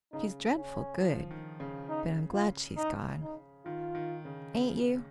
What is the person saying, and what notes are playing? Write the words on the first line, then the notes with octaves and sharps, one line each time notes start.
"She's dreadful good; but I'm glad she's gone: ain't you?"
C#3 D#4
C#4
F3
D#3
C#3
D#4
F4
D#4
D#4
D#3 F4
D#3
C#3
C#3